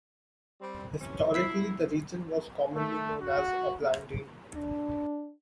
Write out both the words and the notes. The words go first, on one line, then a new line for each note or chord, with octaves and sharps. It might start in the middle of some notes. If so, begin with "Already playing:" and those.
Historically, the region was commonly known as "Opplandene".
G3 C4
C3 E3 C#4
E4 E6 B6 C7
A3
F#4
D4